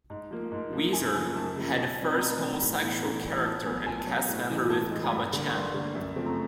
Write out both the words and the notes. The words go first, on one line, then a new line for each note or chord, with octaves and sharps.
"Wizard" had the first homosexual character and cast member with Kaba-chan.
G#2
F3 A#3
G#2
F3 A#3
F#2 G#5
C#3 F3 A#3 G#5
F#2 A5
C#3 F3 A#3
B2 A5
G3 C4
B5
B2 A#5
G3 C4
A#5
A2 B5
E3 G3 B3
A2 A#5
E3 G3 B3
A#2 A5
F#3 B3 G#5
A#2 G#5
A5
F#3 B3
A#5
A2
E3 G#3
A2 A5
E3 G#3
A#5
G2 B5
D3 G3 A#3
C#6
G2 C6
D3 G3 A#3
F#2
C#3 F3 A3 C4
A#5